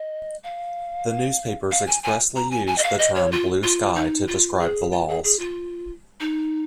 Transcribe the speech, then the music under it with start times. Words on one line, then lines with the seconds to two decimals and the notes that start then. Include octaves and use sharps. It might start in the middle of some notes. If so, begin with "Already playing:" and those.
The newspapers expressly used the term "blue sky" to describe the laws.
Already playing: D#5
0.43 F5
1.71 F5
1.87 G#5
2.03 G#5
2.36 A#5
2.51 G#5
2.67 G#5
2.78 D#5
2.83 F5
2.99 D#5
3.15 C#5
3.32 F4
3.63 F4
3.96 D#4
4.28 F4
4.60 G#4
4.92 F4
5.08 G#4
5.24 G#4
5.39 F4
6.20 D#4